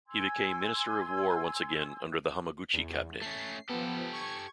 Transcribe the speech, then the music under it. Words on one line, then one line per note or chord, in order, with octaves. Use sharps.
He became Minister of War once again under the Hamaguchi cabinet.
G#5 C6 E6 G#6
E2
A3 C#4 C7
F3 B3 G4 A4
C#6 G#6